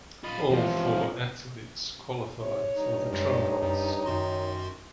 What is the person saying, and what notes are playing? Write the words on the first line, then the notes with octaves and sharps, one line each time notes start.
All four athletes qualified for the trials.
F4 D#5 B5
C#2 C3 E3 F3 F4
C3 C#5
G2 D#4
F#2 G#3 C#5
F#2
F#2 D#3 F#4 C6